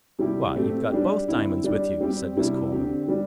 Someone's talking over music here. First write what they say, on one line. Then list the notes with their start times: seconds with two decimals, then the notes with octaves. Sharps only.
"Why, you've got both Diamonds with you," said Miss Coleman.
0.19 C3 G3 E4 G4
0.55 A2 A3 C4 G4
0.92 G3 D4 G4
1.28 D3 C4 E4
1.64 G3 D4 G4
2.01 G3 C4 G4
2.37 C3 G3 E4
2.72 D3 C4 G4
3.08 G3 D4